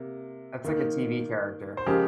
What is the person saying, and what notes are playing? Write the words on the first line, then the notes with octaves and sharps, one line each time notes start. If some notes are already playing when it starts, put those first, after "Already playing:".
That's like the TV character.
Already playing: C3 A#3
D#3 A#3
C5
C#3 F3 G#3 G4 A#4